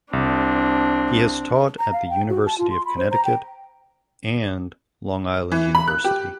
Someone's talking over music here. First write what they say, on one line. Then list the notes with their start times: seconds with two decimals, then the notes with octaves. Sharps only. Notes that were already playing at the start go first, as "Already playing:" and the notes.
He has taught at the University of Connecticut and Long Island University.
0.13 C2 C4 D4
1.79 A#5
1.93 F5
2.10 G5
2.29 F#4
2.46 A5
2.58 F4
2.70 C6
2.85 B5
2.98 C5
3.11 A#5
3.25 G5
5.52 E3
5.75 B5
5.88 F#6
6.04 G4